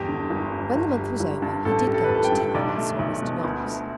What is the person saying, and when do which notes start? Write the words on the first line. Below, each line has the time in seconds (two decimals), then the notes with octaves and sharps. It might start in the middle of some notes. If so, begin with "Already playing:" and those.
When the month was over he did go up to town, and saw Mr. Knox.
Already playing: G1 E2 G4
0.09 D3
0.30 G1
0.53 G2
0.76 G1
0.99 G3
1.20 G1
1.42 G2
1.65 A1 A4
1.87 G3
1.94 A4
2.04 B4
2.10 A1 A4
2.24 G5
2.32 G2
2.55 B1 D5
2.76 A3
2.99 B1
3.22 B2
3.44 D2
3.66 A3